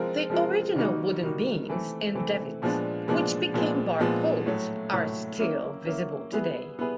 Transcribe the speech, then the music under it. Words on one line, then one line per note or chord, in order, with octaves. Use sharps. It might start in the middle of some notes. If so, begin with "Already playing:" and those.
The original wooden beams and davitts, which became bar posts, are still visible today.
Already playing: F3 G#3 C4 F4 A#4
F3 G#3 C4 F4 A#4
D#3 G3 A#3 D#4 F#4
D#3 G3 A#3 D#4 F#4
E3 A3 C4
E3 A3 C4
A#2 F3 G#3 B3 D4
A#2 F3 G#3 B3 D4
A#2 F3 G#3 B3
A#2 F3 G#3 B3
A2 F#3 A3
A2 F#3 A3
F#3 A#3 C#4 E4
F#3 A#3 C#4 E4
G3 B3 E4 G#4 B4
G3 B3 E4 G#4 B4